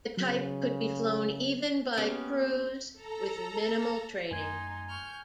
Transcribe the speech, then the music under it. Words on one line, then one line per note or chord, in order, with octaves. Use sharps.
The type could be flown even by crews with minimal training.
C#3 F#3
A#3 B3 C#4 G4
A4 A#5
F#2 A3 D#4 G#5 C6 G#6 D#7
C#6 F6 G6